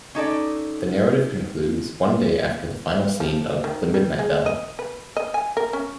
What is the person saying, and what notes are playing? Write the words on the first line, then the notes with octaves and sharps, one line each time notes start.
The narrative concludes one day after the final scene of "The Midnight Bell".
C#4 D#4 A4 D5
F3
D#3
G3
G#3
D#5
B4
D#5
G#5
A#4
C#4